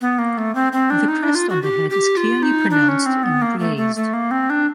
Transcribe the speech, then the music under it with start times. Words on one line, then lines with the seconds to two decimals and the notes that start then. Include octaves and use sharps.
The crest on the head is clearly pronounced and raised.
0.01 B3
0.19 A#3
0.38 A3
0.55 C4
0.73 C4
0.90 D4
1.08 D#4
1.23 D4
1.35 F4
1.49 F#4
1.62 G4
1.90 G4
2.17 F4
2.43 D#4
2.71 D4
2.89 C#4
3.06 C4
3.23 B3
3.42 A#3
3.60 A3
3.77 A3
3.96 A3
4.13 A#3
4.31 C4
4.50 D4